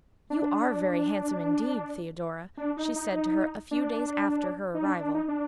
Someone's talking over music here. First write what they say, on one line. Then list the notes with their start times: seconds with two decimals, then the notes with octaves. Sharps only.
"You are very handsome, indeed, Theodora," she said to her a few days after her arrival.
0.30 D4
2.57 D4
2.77 D#4
2.96 D#4
3.71 D4
4.74 D#4
4.85 D4
5.00 D4
5.14 D#4
5.28 D4